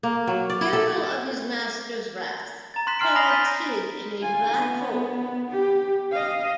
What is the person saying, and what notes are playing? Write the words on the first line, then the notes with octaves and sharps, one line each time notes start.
Fearful of his master's wrath, Terrax hid in a black hole.
A#3
F#3
D5
E4
A4
A#5 A6
A#5 C6 F#6 B6 E7
G#5 A#5 C6 F6 C7 D7
G#5 B5 D#6 A#6 C7 G7
G6 A6 B6 D#7
F4 G#5
B3
G4
D#5 F5